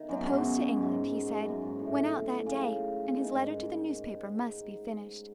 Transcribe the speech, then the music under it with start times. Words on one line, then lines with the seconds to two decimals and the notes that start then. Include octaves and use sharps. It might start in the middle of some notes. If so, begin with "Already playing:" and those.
The post to England, he said, went out that day and his letter to the newspaper must be finished.
Already playing: D#3
0.08 F#2 F#3
0.18 B2
0.25 G#2
0.34 F#2
0.76 G#2
1.44 F#2
1.62 G#2
1.79 A2
2.46 C#3
3.16 D#3
3.32 G#2